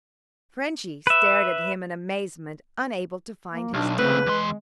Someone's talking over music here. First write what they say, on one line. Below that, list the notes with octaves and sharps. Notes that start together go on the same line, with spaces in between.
"Frenchy" stared at him in amazement, unable to find his tongue.
B4 E5
A#3
B1 D4
C#3 A3 C4 B4
E2 G#3 C6